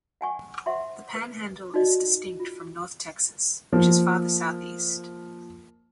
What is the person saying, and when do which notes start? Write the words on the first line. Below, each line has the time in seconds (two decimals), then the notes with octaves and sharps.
The Panhandle is distinct from North Texas, which is farther southeast.
0.21 F#5 G#5 C#6
0.66 C5 E5 F#5 C6 C#6
1.15 A#4 B4
1.74 D#4 F#4 D5 D#5
2.40 F4
3.73 F3 A#3